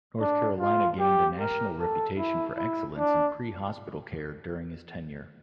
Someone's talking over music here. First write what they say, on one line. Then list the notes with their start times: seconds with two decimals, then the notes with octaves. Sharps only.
North Carolina gained a national reputation for excellence in pre-hospital care during his tenure.
0.20 D4
0.60 F4
1.00 G4
1.39 A#4
1.79 A4
2.18 E4
2.57 E4
2.98 D4